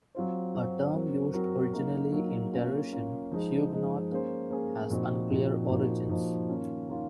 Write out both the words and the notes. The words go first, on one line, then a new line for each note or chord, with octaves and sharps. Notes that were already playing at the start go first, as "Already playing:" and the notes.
A term used originally in derision, "Huguenot" has unclear origins.
F#3 C4 F4 C5
F#3 C4 F4 C5
F#3 C4 F#4 A#4
F#3 C4 F#4 A#4
F#3 A#3 D#4 A#4
F#3 A#3 D#4 A#4
A#3 C#4 F4
A#3 C#4 F4
F3 G#3 D#4
F3 G#3 D#4
A#3 C#4 G#4 C5
A#3 C#4 G#4 C5
A#2 F3 C4 D#4 F#4
A#2 F3 C4 D#4 F#4
A#2 F3 A#3 D#4 F#4
A#2 F3 A#3 D#4 F#4
D#3 A#3 C#4 F4
D#3 A#3 C#4 F4